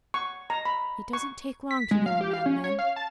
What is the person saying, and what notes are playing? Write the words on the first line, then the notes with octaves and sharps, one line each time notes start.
It doesn't take long to know a man then.
C#6
A#5
B5
C#6
B6
G#3
F5
G4
F5
C#4
C#5
F5
A5